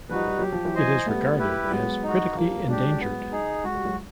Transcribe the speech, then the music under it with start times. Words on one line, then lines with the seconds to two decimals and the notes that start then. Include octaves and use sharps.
It is regarded as critically endangered.
0.09 F3 G3 D#4 F#4 B4
0.26 G3
0.39 F#3 G4
0.52 F3
0.65 E3 F#3
0.74 C5 D#5 G#5
1.06 G3 A3 B3
1.39 E4 G4 B4
1.64 G3
1.71 F#3 G#3 B3
2.03 D#4 F#4
2.35 F3 G3 A#3
2.68 F#3 G#3 D4 G4
3.00 B3
3.31 D#4 G#4
3.64 G#3 F#4
3.74 G3
3.85 F#3 G#3